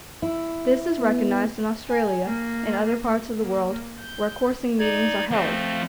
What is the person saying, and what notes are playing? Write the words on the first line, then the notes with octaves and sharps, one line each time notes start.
This is recognised in Australia and other parts of the world where coursing meetings are held.
E4
B3
G#5
A#3
A#3
G6
D#4 D5 G#6
F3 A3 C4